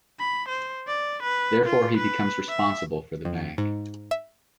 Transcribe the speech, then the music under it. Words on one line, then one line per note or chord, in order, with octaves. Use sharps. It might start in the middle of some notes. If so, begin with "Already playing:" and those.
Therefore, he becomes responsible for the bank.
B5
C5
D5
B4
F4
B4
E5
F2
G#2
E5